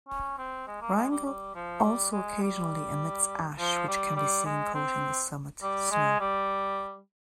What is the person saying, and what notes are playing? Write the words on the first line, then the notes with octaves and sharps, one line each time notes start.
Wrangell also occasionally emits ash, which can be seen coating the summit snow.
C#4
C4
G#3
A#3
G#3
G3
G3
F3
G3
G#3
G3
F3
G3
G3
G#3
C4
G3
G#3
G3